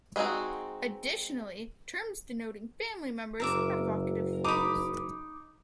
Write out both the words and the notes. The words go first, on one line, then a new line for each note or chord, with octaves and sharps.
Additionally, terms denoting family members have vocative forms.
G#3 B3 C4 D#4 F#4
F#1 A#4 E5 D6
D#4 B5 D6